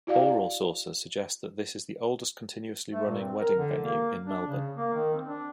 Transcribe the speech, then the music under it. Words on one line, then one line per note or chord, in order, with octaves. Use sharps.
Oral sources suggest that this is the oldest continuously running wedding venue in Melbourne.
E4 F#4 D5 F5
A3
A#2
C4
A#4
D3
A#3
D4
C#3
A#3
D#3
C4
D4